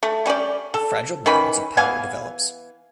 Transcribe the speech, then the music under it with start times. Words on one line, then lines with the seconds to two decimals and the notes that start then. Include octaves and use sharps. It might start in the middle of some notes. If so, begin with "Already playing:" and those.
A fragile balance of power develops.
0.03 A3
0.26 G3 C#4 G4 D5
0.74 A4
1.26 D#3 E3 C#4 B5
1.77 E3 B3 F5 G#5